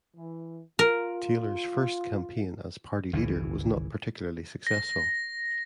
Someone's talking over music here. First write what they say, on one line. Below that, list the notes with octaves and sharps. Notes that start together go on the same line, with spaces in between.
Taylor's first campaign as party leader was not particularly successful.
E3
F4 A#4
G#1 C#2 E3
A#6